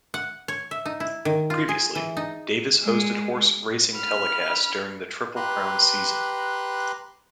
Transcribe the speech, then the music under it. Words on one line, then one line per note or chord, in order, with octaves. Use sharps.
Previously, Davis hosted horse racing telecasts during the Triple Crown season.
F#5
C#5
E5
D#4
E4
D#3
F4
G#4
E3
D#4
G#3
B5 F6
G4 B4 A#5 C6 F#6